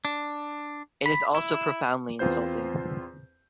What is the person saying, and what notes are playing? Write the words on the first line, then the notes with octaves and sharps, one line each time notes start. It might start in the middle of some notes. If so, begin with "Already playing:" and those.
It is also profoundly insulting.
D4
B5
E4
E2 C4 F4 B4 C5 G6